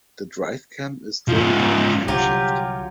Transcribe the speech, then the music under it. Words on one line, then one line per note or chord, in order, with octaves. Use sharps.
The drive cam is driven by the camshaft.
G#2 F3
C2 D3 F#3 F4 G4